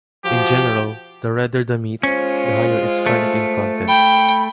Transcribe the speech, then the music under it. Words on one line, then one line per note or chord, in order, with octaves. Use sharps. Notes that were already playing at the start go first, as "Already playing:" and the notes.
In general, the redder the meat, the higher its carnitine content.
F3 F#4 G4
G#3 C#4 F4 C5
A3
G5 B5